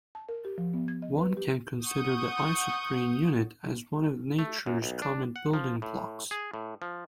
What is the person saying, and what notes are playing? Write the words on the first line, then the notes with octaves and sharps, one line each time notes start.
One can consider the isoprene unit as one of nature's common building blocks.
A5
A#4
G4
F3
B3
G#6
D#5
B4
G4
F#5 C#6 D#6 G6
A3
F#2
B1
D4
F#5
F3
A2
G#4
A2
F3